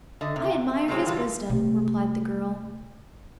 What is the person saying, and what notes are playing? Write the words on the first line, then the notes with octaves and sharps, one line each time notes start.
"I admire his wisdom," replied the girl.
D3 D#5
C3
A2 C3 F#3 G#3 C4 C#4
B2 E3 F#3 G3 F4
C3 A3